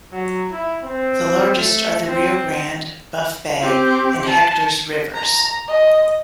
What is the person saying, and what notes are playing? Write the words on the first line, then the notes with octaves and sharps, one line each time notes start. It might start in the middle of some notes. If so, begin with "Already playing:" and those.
The largest are the Rio Grande, Buff Bay and Hectors rivers.
F#3
E4
C4
A3
C4
C4 G4
A5
A#5
D#5